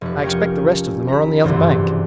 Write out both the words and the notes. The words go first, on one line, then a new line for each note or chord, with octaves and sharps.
I expect the rest of them are on the other bank.
F1 B4
C#4 A#4 G5 C#6
A#5 B5
F#1 C2 G2 E3 C5